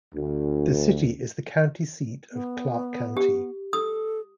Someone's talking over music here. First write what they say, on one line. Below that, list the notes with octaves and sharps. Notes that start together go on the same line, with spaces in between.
The city is the county seat of Clark County.
D2
B3
G4
A4 D#6